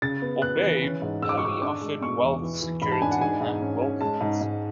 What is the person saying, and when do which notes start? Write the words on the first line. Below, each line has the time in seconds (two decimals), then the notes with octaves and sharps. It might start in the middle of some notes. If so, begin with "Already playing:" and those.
For Babe, Paley offered wealth, security, and worldliness.
0.02 C#3 A6
0.22 B3
0.42 B3 F#6
0.62 E3
0.82 C#4
1.02 G#2
1.22 G#2 E6
1.29 D6
1.38 C#6
1.42 G#2 D6
1.62 D4 D6
1.81 G#3
2.02 B2 C#6
2.22 E2
2.42 E3
2.62 E3
2.82 G#2 B5
2.92 A5
3.02 D4 G#5
3.11 F#5
3.21 G#2 G#5
3.41 G#2
3.62 C#4
3.82 C#4
4.01 G#3 A5
4.21 G#2
4.41 G#2